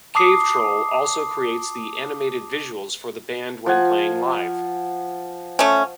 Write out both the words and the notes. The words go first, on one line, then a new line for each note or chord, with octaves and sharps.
Cavetroll also creates the animated visuals for the band when playing live.
A5 D6 D#6 C7
F3 F#5 G#5
A3 C#4